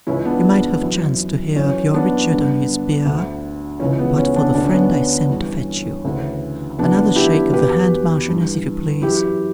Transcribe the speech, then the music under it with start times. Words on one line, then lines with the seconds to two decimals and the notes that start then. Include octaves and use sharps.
You might have chanced to hear of your Richard on his bier, but for the friend I sent to fetch you. Another shake of the hand, Marchioness, if you please.
0.07 C#2 C#3 E3 C#4 E4
0.25 B3 D4
0.82 F#2 E3
1.56 F#2 E3 C#4
1.94 B3 D4
2.32 G2 D3
3.06 D2 D3
3.80 C#2 C#3 E3 C#4
3.99 B3
4.18 C#4
4.36 B3 D4
4.55 D2 D3 D4
4.64 C#4
4.73 B3
4.83 C#4
5.29 G2 E3
6.05 D2 C#3 E3
6.79 F#2 C#3 E3 B3 D4
7.16 E4 G4
7.53 E2 B2 G4 B4
8.28 G2 E3
9.02 F#2 E3 E4 G4